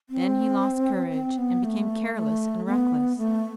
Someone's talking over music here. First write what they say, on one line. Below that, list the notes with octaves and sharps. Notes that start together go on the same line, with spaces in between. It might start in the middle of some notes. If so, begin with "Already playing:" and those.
Then he lost courage, and became careless and reckless.
C4
C4
B3
A3
A3
B3
A3